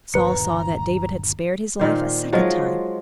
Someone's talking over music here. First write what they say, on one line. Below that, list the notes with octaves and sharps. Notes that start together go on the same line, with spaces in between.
Saul saw that David had spared his life a second time.
G1 D#2 A#2 B4 A#5 C#7
A#2 D#3 C5
F3 F#3 G#3 F4